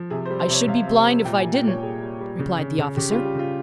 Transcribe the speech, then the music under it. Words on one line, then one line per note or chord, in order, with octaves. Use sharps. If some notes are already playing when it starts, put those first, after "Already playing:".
"I should be blind if I didn't," replied the officer.
Already playing: F3
C3 G#4
C5
G3
C5
C3 C#5
C3 F5
C3
G3
A#2 G5
G#5
G3
G5
A#2 C#5
G3 G#4
G3
G3
C#3
C#3
C#3
C#3 G4
F4
G3
G4
C#3 F4